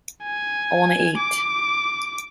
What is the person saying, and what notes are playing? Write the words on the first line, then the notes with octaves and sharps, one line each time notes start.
I wanna eat!
G#5
D6